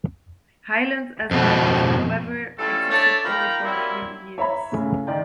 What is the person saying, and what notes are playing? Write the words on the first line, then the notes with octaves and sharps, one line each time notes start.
Highland as an act; however, existed only for a few years.
F2 B2
E3 G3 A3 C#4 F4 A4
A3 D4 C#5 D5 E5 A5
D#4 F4 A#4 G5 A#5 B5
F#3 G3 A#3 C4 E4
C#5 E5 A#5 B5
A2 C#3
D#3 D5 G5